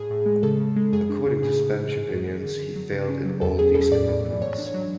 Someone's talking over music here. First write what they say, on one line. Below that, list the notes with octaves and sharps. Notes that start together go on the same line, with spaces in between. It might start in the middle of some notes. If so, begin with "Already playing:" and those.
According to Spanish opinions he failed in all these commitments.
Already playing: A2 G#4
A2
G#3
C#3 A4
C#3
G#3
F#2 G#4
D4
C#3
A2 G#4
A2
E3
G#2 G#4
G#2 F#4
E3 G#4
D3
D3
F#3
C#3
C#4
F#3
E2 A4
C#4 G#4
B2 A4
A2 D5
A2
E3
G#2 C#5
D4
C#5
F#3